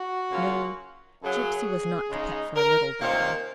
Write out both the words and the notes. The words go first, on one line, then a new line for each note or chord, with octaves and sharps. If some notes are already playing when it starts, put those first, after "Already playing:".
No; Gipsy was not the pet for a little girl.
Already playing: F#4
C#3 F#3 A#3 C#4 F4
F#2 C#3 F#3 G#4
C#3 G#3 D#4
A#4
C3 D#3 A#3 C#4 F4 C5